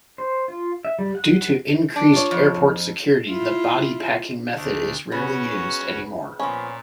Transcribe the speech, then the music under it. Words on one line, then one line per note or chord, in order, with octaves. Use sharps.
Due to increased airport security the "body packing" method is rarely used any more.
C5
F4
E5
G3
F#5
D4
F4 C#5
F2
E4 F4
D2
C#3 B3 C#4 F#4
A#2 F3 B3 C#4